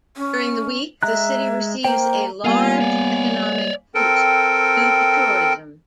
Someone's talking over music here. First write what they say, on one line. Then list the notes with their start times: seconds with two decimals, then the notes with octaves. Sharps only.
During the week the city receives a large economic boost due to tourism.
0.17 C#4
1.03 G#3 E5 A#5 F#6
1.84 A#3 C5 G5
2.45 G3 A#3 B3 F4 F5 G#5
2.81 C#5 D5
3.95 C4 A4 A#4 G5